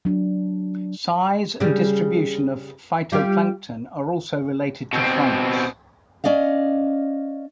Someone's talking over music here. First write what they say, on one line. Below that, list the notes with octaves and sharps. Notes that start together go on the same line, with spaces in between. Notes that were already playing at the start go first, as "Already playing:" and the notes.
Size and distribution of phytoplankton are also related to fronts.
F#3 D4
C#3 G3
G3 F4 G4
B2 C4
C#4 D5 D#5 F5